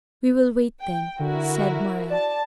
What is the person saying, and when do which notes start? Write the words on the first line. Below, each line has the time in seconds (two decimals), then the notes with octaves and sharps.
"We will wait, then," said Morrel.
0.82 G5
1.19 D3 E4 F#4 A#4
2.10 D5 A5